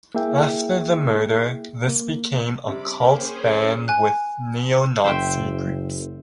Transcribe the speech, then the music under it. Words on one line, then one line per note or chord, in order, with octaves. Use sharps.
After the murder, this became a cult band with Neo-Nazi groups.
A#3 E4 G#4 E5 G5
A#3
C3 G3 B5 D6
A#3 C#4 G#4 C5 G5
G#5 F#6
F#1 C5 E5 G5